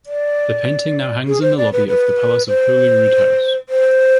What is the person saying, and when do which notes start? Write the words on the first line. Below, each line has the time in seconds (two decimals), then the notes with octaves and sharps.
The painting now hangs in the lobby of the Palace of Holyroodhouse.
0.06 D5
1.27 G#4
1.42 C5
1.57 D5
1.73 B4
1.88 B4
2.48 C5
3.69 C5